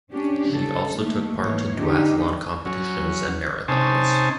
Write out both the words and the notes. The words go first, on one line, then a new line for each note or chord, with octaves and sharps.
She also took part to duathlon competitions and marathons.
C#4 D4 G4
C#3 A4
D#3 A3 A#3
G#2 E3 A#3 C#5
D3 D4 D#4 G4
F#3 C#4
C3 C#4 D#4 C5 G#5 A5